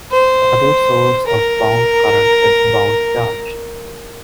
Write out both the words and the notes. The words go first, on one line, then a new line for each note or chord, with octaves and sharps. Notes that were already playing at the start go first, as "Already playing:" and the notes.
The other source of bound current is bound charge.
C5
A#4